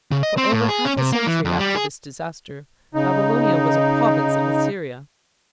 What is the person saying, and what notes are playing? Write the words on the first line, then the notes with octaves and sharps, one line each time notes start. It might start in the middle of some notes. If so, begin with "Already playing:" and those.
For over half a century after this disaster Babylonia was a province of Assyria.
C#3
D#5
C4
A2
G#4
C#4
C3
A#3
E3
F2
G3
G#4
C#3 D#4